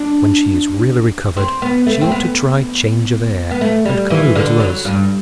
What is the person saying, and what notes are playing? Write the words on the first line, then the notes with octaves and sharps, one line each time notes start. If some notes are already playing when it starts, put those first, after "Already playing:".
When she is really recovered, she ought to try change of air, and come over to us.
Already playing: D4
C4
B3
A3
C4
B3
B3
A3
G3
E3
D3
F#3
G2